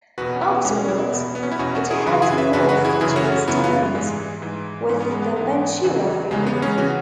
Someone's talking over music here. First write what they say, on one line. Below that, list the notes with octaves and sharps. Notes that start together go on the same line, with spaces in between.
Afterwards, it heads north to its terminus with the Ventura Freeway.
E2 B2 F#4 B4
C#4
B3 E4
E2 B2 G#3 C#4
C#4
B3 E4
E2 B2
B3
C#4
E4
E2 B2 C#4 F#4
C#4 F#4
E4 G#4
F#2 C#3 E3 F#4 B4
E4 G#4
B4 E5
F#2 C#3 E3 F#4 B4
F#4 B4
E4 G#4
F#2 C#3 E3 E4 G#4
C#4 F#4
C#4 F#4
F#2 C#3 E3 B3 E4
B3
G#2 E3 G#3
G#2 E3
G#2 E3 C#4
B3
G#3
B3
G#2 E3 B3
E2 C#3 E3
E2 C#3 E3 G#3
B3
G#3 C#4
C#3 E3 C#4 F#4